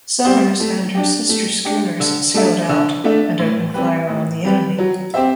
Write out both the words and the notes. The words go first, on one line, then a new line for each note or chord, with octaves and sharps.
"Somers" and her sister schooners sailed out and opened fire on the enemy.
G3 C4 G4 C5
A3
D4 G4
A3
D4 G4
D3
A3 D4 A4 E5
D3
A3 D4 A4 E5
A2
G3 C4 G4 B4
A2
G3 C4 G4 B4
F#3
C4 G4 C5 E5